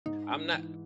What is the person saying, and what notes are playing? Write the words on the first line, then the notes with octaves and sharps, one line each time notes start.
I'm not
G#2 D#4
D4
E3 D#4